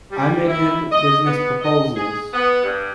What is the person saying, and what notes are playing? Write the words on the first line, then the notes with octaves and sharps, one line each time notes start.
I made him business proposals.
G3
E4
D#5
B3
D#5
G#4
B3
G2